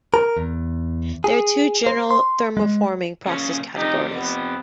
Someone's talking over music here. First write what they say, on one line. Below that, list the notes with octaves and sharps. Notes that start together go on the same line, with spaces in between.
There are two general thermoforming process categories.
A#4
E2
G#4
C5
C6
G#3
A#2 C#3 C#4
F2 D#4 G4
B3